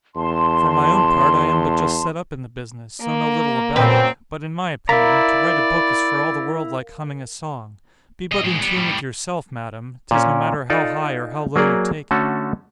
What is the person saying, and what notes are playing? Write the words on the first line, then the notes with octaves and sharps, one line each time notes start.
For my own part, I am but just set up in the business, so know little about it--but, in my opinion, to write a book is for all the world like humming a song--be but in tune with yourself, madam, 'tis no matter how high or how low you take it.
E2 A5 C6
A#3
F#2 A#2 C4 B4
E4 A#4 D5 F5 A#5 B6
E2 D#5
A2 G#3
G3 B3
A2 G3
A#2 C#4
D#4 F4 A4 D5
F#3 A#3 G#4 D5
D3 A3 C#4 F#4 A4